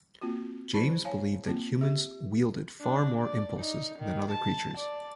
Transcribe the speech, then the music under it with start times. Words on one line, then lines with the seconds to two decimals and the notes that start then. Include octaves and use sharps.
James believed that humans wielded far more impulses than other creatures.
0.21 A#3 C4 F4 F#4
0.74 F#3 E4 C5 A5 B5
1.05 C#5 F5 G#5 A5
1.46 A#3 C4 F4
1.81 G4 E5
2.81 D4
3.21 D5
3.60 D#4
3.99 D#3
4.32 A5
4.78 D5